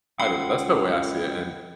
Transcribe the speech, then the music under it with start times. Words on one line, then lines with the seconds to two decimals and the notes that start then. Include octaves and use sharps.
I don't know, that's the way I see it and
0.20 C#2 F#5 G5 B5 C6